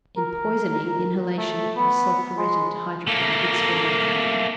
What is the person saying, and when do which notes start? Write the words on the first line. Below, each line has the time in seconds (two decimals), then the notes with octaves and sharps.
In poisoning, inhalation of sulphuretted hydrogen gives relief.
0.17 A#4
1.37 A3
1.76 B3
2.38 G#3
3.07 A3 A#3